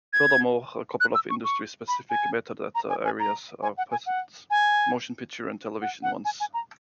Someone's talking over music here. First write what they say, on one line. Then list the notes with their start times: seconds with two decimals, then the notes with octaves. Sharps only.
Furthermore, a couple of industry-specific metadata areas are present: Motion-Picture and Television ones.
0.13 G#6
1.00 F#6
1.15 E6
1.30 C#6
1.44 C#6
1.88 B5
2.10 G#5
2.75 A#5
2.90 G#5
3.05 G#5
3.20 A#5
3.63 G#5
3.78 F#5
3.92 G#5
4.06 F#5
4.51 G#5
5.82 F#5
6.03 F#5
6.25 G#5
6.40 G#5
6.54 A#5